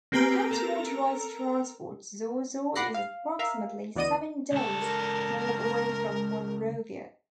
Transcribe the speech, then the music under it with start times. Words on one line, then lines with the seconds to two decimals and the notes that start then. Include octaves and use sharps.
Without motorised transport, Zorzor is approximately seven days' walk away from Monrovia.
0.12 A#3 C4 G4 B4 G#5 A#5
0.51 A4 A#4 A#5
2.75 F#5 B5 D6 F#6 A#6 C7
2.94 F5
3.39 A#4 E5 F5
3.96 D2 E3 B3 D5 D#5 D#7
4.52 C#2 A4
4.81 A#4